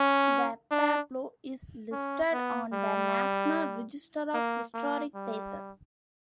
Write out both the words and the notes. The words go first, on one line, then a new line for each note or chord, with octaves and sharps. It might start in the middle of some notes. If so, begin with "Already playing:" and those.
The pueblo is listed on the National Register of Historic Places.
Already playing: C#4
D4
C#4
B3
G3
A#3
A#3
G3